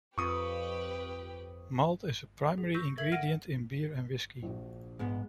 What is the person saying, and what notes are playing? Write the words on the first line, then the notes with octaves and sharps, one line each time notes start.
Malt is a primary ingredient in beer and whisky.
F2 G4 B4 C#6 D#6
G#4
C#6 E6 G6 A#6
A4 A#4 E5 G#6 F#7
F#5 F6 A#6 D7 D#7
A#1 D4 F#4
G#2 G#3 B3